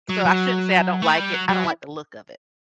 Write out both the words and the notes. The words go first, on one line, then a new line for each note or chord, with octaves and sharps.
so I shouldn't say I don't like it. I don't like the look of it.
F#3
F#3
A3
G3
F#3
F#3
E4